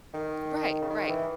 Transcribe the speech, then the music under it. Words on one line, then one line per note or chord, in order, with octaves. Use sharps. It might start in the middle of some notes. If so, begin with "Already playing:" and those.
Right, right.
D#3
C#3
D#3
E3